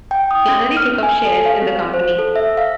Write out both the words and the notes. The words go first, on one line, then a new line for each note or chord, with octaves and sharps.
Flannery took up shares in the company.
G5
D#6
C#4
F6
G#5
A4
F5
C4
C5
A4
E5
F5